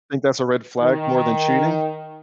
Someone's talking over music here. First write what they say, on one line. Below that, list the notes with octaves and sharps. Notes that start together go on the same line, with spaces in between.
Think that's a red flag more than cheating?
D#3